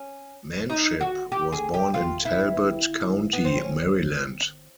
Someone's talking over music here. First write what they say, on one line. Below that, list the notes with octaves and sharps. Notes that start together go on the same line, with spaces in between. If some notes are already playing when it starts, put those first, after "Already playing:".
Manship was born in Talbot County, Maryland.
Already playing: C#4
D#4
F#4
G4
G#4
G4
F4
E4
B3
C4
C#4